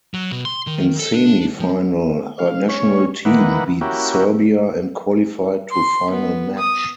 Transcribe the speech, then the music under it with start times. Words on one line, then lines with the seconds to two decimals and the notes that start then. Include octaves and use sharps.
In semi final her national team beat Serbia and qualified to final match.
0.14 F#3
0.31 B2
0.45 C6
0.67 D#3
0.99 A4
1.14 D4
1.60 F3
2.39 F5
2.69 C#4 C#5
3.25 D#3 E3 A#3 B4 F#5
3.81 A#3 C#4 E4 F#4 G4
5.71 C6
6.11 B3
6.58 D#6